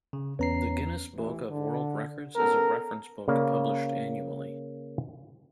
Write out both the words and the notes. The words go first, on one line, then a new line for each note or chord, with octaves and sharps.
The Guinness Book of World Records is a reference book published annually.
C#3
E2 B3 C#4 A#5 C7
A1 E3
D3
B3 C#4 A4 A#4
C#3 A#3 D5 F5